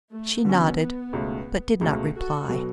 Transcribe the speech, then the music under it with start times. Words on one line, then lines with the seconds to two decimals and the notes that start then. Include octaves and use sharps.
She nodded, but did not reply.
0.11 A3
0.44 D3 F#3 B3 C#4
1.13 C#2 B2 A3
1.81 C#2 B2 A3
2.15 F#4 A4
2.49 B2 F#3